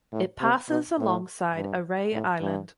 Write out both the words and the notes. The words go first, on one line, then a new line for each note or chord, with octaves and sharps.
It passes alongside Arey Island.
A2
C3
B2
A2
G2
A2
G2